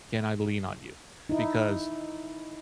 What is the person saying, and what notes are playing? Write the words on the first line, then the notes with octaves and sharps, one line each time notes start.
Can I lean on you? Because
D#4 E4